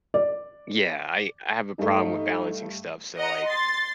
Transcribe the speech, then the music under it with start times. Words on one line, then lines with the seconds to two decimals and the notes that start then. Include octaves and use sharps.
Yeah, I I have a problem with balancing stuff, so, like,
0.14 D5
1.79 G2 A3 D#4
3.17 D#5 F#5 A#5
3.45 C6 A6